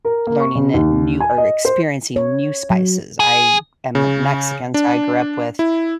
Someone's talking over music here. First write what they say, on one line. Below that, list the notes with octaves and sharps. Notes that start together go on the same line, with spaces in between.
learning that new, or experiencing new spices, I am Mexican, so I grew up with,
A#4
A#3
C#6
C#3
D#2
G#5
D#5
C5
C#5
F#3
G#4
C#3
D4
E4